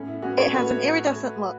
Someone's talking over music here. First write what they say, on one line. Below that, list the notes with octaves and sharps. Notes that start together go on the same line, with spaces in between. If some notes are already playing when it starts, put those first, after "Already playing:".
It has an iridescent look.
Already playing: A2 B3 C#4
E4
B3 C#4 F#4
A4 C#5
A2 F#4 B4
A2
A3